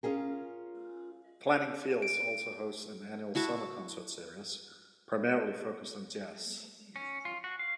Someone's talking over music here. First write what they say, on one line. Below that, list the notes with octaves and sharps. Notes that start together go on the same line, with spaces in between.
Planting Fields also hosts an annual summer concert series, primarily focused on jazz.
C#4 F4 G#4 A#4
D7
E4 F#4 A5 C#6
C#4
F4
F#4
F5